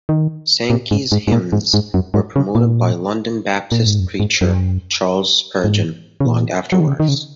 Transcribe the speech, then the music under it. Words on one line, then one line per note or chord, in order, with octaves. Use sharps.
Sankey's hymns were promoted by London Baptist preacher, Charles Spurgeon, long afterwards.
D#3
A#2
G#2
G#2
G#2
A#2
G#2
G#2
F#2
G#2
C#3
A#2
A#2
G#2
F#2
G#2
F#2
G#2
C#3
A#2
F#3
D#3
C#3
D#3
C#3